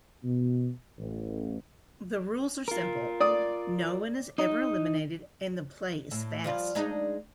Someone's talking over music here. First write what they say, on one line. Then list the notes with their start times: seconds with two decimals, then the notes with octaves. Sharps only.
The rules are simple, no one is ever eliminated, and the play is fast.
0.24 B2
0.98 A1
2.68 F4 A#4
3.20 D5 D#6
4.38 D#4 D#5
6.11 A2
6.44 F3 G3 F4
6.75 G#3 D4 D#4